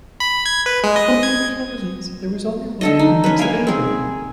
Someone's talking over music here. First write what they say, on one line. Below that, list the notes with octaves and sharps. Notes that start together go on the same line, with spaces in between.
On the original release, there was only one remix available.
B5
G#6
B4
G#3
D#5
G#6
D3 A4 D#5
D#4
C#4 B4
A#3 F5 G#5
C4 G#4